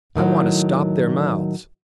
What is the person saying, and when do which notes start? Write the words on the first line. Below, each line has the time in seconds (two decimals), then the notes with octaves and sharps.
"I want to stop their mouths."
0.16 A2 D#3 E3 F#3